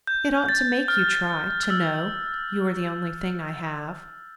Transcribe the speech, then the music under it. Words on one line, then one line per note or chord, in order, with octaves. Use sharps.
It ought to make you try, to know you are the only thing I have.
G6
A6
F6
F6
E6